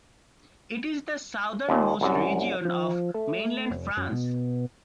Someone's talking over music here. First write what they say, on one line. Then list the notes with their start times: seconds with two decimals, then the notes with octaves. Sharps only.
It is the southernmost region of mainland France.
1.69 D#2 A#2
2.01 C2 F#2
2.65 F3
3.14 A3
3.70 F1
3.97 F#2
4.12 B2